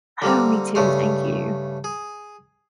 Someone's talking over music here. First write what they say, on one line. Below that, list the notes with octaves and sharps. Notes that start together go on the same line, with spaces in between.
Oh, me too, thank you.
D3 G3 A#3 C4
G2 C#3 A3 C6
G#4